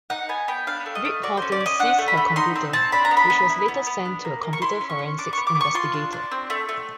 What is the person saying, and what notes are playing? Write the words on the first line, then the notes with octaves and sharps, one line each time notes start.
Rick Horton seized her computer which was later sent to a computer forensics investigator.
D#4 F#5
B3 G#5
B3 G5
D4 F5
A3
D#5
A3
F#4 D5
C#4 C5
D5
C#4
D#5
D4 F#5
A3
B5
A3
D#4 C6
C4
C4 A5
D4 B5
A#5
B3
B5
B3
E4
B3
B3
D4
A#3
A#3
C#6
E4 C6
C#4
C#6
C#4
D4 D6
B3 C#6
D6
B3
C#6
F4 C6
D4
D4
C4
A3
A3